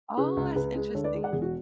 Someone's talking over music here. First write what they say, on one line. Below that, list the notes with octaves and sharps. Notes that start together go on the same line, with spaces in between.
Oh, that's interesting.
C#3 G#4 B4
C#2
C#2 G#4 B4
G#3
D2 A4 C#5
B4 D5
G#3
D5 F#5
E1 G#4
F#4